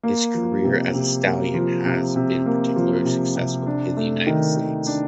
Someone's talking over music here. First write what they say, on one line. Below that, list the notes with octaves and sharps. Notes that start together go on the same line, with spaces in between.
His career as a stallion has been particularly successful in the United States.
A#3
F3
C3
C3
A#3
F3
C3
C3
A#3
F3
C3
C3
D4
A3
D#3
D#3
D4